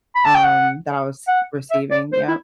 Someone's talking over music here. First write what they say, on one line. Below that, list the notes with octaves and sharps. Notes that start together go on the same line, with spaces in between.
um, that I was receiving. Yep.
B5
A5
G5
F#5
F#5
E5
D5
C5
E4